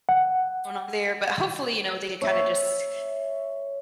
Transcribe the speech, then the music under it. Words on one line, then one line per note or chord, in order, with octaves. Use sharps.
going on there, but hopefully, you know, they can kinda just
F#5
C#5 E5